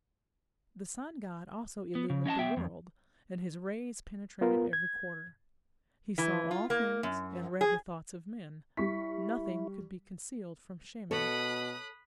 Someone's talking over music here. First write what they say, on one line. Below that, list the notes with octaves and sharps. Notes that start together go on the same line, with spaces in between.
The sun god also illumined the world, and his rays penetrated every quarter: he saw all things, and read the thoughts of men; nothing could be concealed from Shamash.
B3
C#3
C#4 D#5 F5 A5
B3 E5 G5
F2
B3 F4 A#4
G#6
E3
F4
A#3
F#2
G#4
G3 E4 C#6 B6
B2 A4 C#5 B5 D#6 F#6